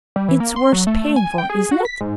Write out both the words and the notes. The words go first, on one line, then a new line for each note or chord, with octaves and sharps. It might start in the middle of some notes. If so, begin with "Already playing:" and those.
It's worth paying for, isn't it?
G3
E3
A#3
C6
F#3
A3
G#5
G5
G#4
F#4
B6
G#2